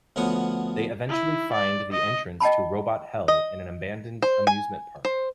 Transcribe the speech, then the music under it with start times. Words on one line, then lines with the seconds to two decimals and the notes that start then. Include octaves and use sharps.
They eventually find the entrance to Robot Hell in an abandoned amusement park.
0.16 D2 F3 B3 C#5 F#5 D#6
1.09 E4
1.53 D5
1.92 D#5
2.40 D#5 G5 A5 B5
3.28 D#5
4.22 C5
4.47 G#5
5.05 C5